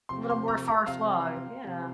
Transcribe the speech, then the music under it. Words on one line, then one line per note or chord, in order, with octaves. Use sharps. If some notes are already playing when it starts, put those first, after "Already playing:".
A little more far-flung, yeah.
C3 F3 C4 G4 C6
C6
A#5
A#5
C3 F3 C4 G4 F5
C3 F3 C4 G4